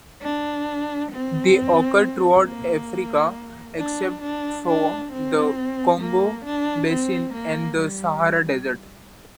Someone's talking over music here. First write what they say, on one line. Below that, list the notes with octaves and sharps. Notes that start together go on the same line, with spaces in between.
They occur throughout Africa except for the Congo basin and the Sahara Desert.
D4
C4
A#3
D4
D4
D4
C4
A#3
D4
C4
A#3
G3